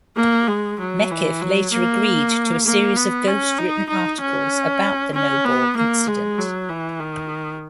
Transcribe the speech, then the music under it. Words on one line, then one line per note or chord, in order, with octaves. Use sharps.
Meckiff later agreed to a series of ghost-written articles about the no-ball incident.
A#3
G#3
F#3
E3
F#3
A#3
A#3
B3
C#4
D#4
D#4
C#4
C#4
B3
A#3
G#3
F#3
E3
D#3